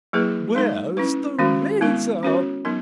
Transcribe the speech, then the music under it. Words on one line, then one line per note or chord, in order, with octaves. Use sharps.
"Where's the razor?"
F#3 A#3 E4 G#4 B4
G#3 D#4 A#4
C#4 E4 B4
D#3 G#3 C#4 F#4 A#4
G#3 B3 E4 A#4
C#4 F#4 A#4 C#5
F#3 B3 D#4 A#4